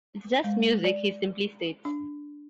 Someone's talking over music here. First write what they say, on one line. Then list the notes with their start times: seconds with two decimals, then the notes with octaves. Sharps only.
"It's just music," he simply states.
0.44 G#3
0.84 D5
1.85 D4